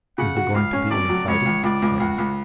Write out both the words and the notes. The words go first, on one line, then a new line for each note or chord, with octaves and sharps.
"Is there going to be any fighting?" I asked.
C#3 F#5
F#4
C#2 F5
C#4
G#1 D5
F#3
C#2 C#5
C#2
C#2 D5
C#2
C#2 F#4
C#2